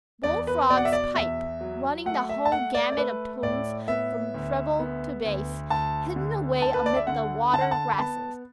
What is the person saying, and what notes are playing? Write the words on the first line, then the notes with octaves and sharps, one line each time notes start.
Bullfrogs pipe, running the whole gamut of tones from treble to bass, hidden away amid the water grasses.
E2 D5
B4
B2 D5
F#5
E5
D5
E2 E5
F#3
A3 F#5
E5
A5
A3 F#5
D5
D5
A3 B4
A2 D5
B3 E5
D2
B3
D2
D2 A5
D3
D2 A5
B4
D5
E5
D3 F#5
D3 A5
F#5
A5
B5
B3 A5